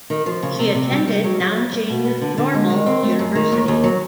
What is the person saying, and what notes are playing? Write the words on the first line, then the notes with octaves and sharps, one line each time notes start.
She attended Nanjing Normal University.
D#3
F3
C#3
C3
C3
G3
G3
F#3
F#3
F2
G3
B2
B3
D3
D3
G#3
D#3
C4
A3
F#2
D#3
D#2
D#2
F#3